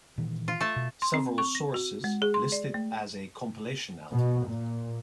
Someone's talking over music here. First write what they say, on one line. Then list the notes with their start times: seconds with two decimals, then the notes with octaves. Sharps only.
Several sources list it as a compilation album.
0.18 A#2 D#3 E3
0.48 F4
0.61 A3 A5
0.76 B2
1.02 C6
1.14 C4
1.38 C#6
1.55 A#6
1.74 F#4
2.04 G#3
2.22 G#4
2.34 C6
2.52 D5
2.74 A3
4.14 B2
4.48 A#2